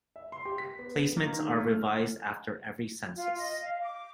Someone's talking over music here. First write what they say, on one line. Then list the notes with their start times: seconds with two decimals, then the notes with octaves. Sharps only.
Placements are revised after every census.
0.16 E5
0.32 C6
0.45 G4
0.58 B6
0.79 B3
1.17 A#3
1.33 D#3
1.47 A3
1.69 F6
3.15 F4
3.37 D#5
3.61 F5
3.82 D6